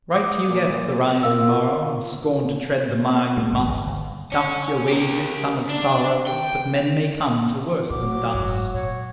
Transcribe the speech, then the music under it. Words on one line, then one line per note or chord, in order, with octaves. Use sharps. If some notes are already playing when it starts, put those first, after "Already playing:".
Right you guessed the rising morrow And scorned to tread the mire you must: Dust's your wages, son of sorrow, But men may come to worse than dust.
D6 D#6
A#2
F4 A#4 F5 E6
G#3
G1
G1
G1
C#4
G4 A#4
D4
G5
A#1 F#3 F4 D6
F#1 G#2
A#2 C#5